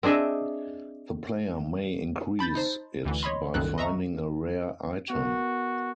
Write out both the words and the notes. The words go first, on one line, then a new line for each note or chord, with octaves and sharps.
The player may increase it by finding a rare item.
C4 D4 G#4 D#5 E5
A5 B5 G6 A6
D#4 C5
D2 D3 E3
C#5 D#5 B5 C6
C2 F#2 A#2 D#3 A4 F#6
D#5 E5 A#5 C#6
B3 F#4 A#4